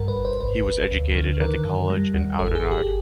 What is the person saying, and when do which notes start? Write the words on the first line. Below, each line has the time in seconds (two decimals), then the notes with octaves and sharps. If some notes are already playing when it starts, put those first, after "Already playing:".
He was educated at the college in Oudenaarde.
Already playing: B1 G2 A#4
0.08 B4
0.16 G1
0.25 C5
0.41 B1 B4
0.65 B1
0.91 D2
1.15 D3
1.40 D#3 A#4
1.64 F#2
1.90 G3
2.14 D#2
2.39 G1 A4
2.55 G#4
2.63 G1
2.71 G4